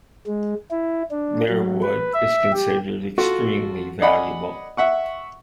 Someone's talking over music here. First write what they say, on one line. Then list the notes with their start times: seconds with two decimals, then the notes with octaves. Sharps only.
Their wood is considered extremely valuable.
0.27 G#3
0.71 E4
1.11 D4
1.49 F#3
1.82 B4
2.14 E5
2.52 G4
3.18 F4 F#4 A4
4.02 D5 D#5 F#5 G#5 B5
4.77 E5 F#5 C#6